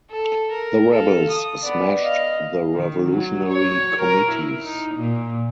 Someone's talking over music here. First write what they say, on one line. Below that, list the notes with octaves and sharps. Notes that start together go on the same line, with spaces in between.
The rebels smashed the revolutionary committees.
A4
A#4
A4 F5
D#6
B3 D5
D#5 F5
D#3
F#3
C#5
A#4
E4
D#4
A#2